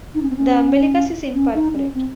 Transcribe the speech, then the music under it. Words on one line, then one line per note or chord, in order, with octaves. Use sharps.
The umbilicus is imperforate.
D#4
C#4
C4
C#4
C#4
D#4
C#4
C4